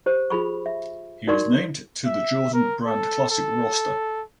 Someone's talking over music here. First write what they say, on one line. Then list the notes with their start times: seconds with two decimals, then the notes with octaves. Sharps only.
He was named to the Jordan Brand Classic roster.
0.06 G4 C5
0.30 F4 G#4 B5 C#6
0.66 E5
1.28 D#4 F#4 A#4 D5 C6 C#6
2.06 E5
2.54 A#4
2.86 A4
3.31 A4